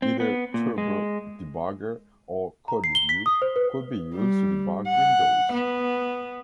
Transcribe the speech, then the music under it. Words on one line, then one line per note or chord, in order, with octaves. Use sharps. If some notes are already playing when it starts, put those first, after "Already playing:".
Either Turbo Debugger or CodeView could be used to debug Windows.
C4
B3
A#2
G#3
A#5
C7
G7
B6
D#6
C5
B4
G3
F#5
B3